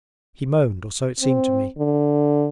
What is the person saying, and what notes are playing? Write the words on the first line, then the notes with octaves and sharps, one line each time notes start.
He moaned, or so it seemed to me.
C4
D3